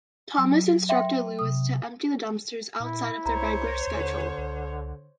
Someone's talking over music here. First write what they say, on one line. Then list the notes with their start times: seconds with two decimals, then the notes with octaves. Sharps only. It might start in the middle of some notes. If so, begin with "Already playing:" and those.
Thomas instructed Louis to empty the dumpsters outside of their regular schedule.
0.38 F#3
0.89 E5 G5 C6
1.39 C3 D#6
2.80 A#2 E4
3.26 C2 C5 C#5 A#5
3.87 D#2 D3
4.38 C#2